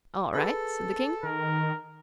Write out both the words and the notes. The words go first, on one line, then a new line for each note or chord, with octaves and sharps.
"All right," said the King.
G#4 A4 B4 B5
D#3 A#4